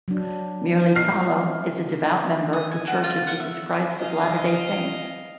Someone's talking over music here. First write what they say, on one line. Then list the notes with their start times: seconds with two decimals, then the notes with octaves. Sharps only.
Mulitalo is a devout member of The Church of Jesus Christ of Latter-day Saints.
0.08 F#3 D4
0.95 F6 C7
2.53 D#6
2.71 G#5
2.87 F#4
3.04 F4
3.27 F#5
3.40 E5
4.00 D#5 F5